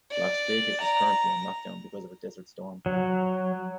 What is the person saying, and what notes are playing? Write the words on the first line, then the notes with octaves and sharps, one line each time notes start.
Las Vegas is currently on lockdown because of a desert storm.
D5
A#5
F#3